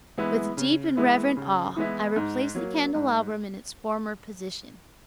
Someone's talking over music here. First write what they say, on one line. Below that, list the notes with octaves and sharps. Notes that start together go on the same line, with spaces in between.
With deep and reverent awe I replaced the candelabrum in its former position.
E3 G#3 B3 E4
C#3
E3 G#3 B3 E4
C#3
E3 G#3 B3 E4
G#2
F#3 A#3
G#2